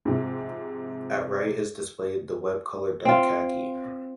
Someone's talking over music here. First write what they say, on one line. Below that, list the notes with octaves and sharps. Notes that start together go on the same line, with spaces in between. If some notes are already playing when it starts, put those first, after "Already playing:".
At right is displayed the web color dark khaki.
G#2 C3 F3 G#3
C4 F4